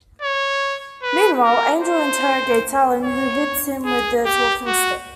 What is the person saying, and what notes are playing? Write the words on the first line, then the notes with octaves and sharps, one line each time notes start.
Meanwhile, Angel interrogates Allen, who hits him with the talking stick.
C#5
B4
A#4
C5
C#5
G#4
G4
F#4